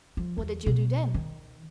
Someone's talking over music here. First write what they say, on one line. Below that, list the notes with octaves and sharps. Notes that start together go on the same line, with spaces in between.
"What did you do then?"
F3
E2
B2
D#3